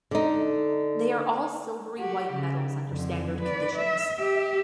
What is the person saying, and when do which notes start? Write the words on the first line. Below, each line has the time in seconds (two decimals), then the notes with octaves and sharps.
They all are silvery-white metals under standard conditions.
0.11 D3 D#4
1.99 F#4 G4
2.33 C#3
2.90 F2 D3
3.41 B4 D5
3.76 E5
4.20 G4 E5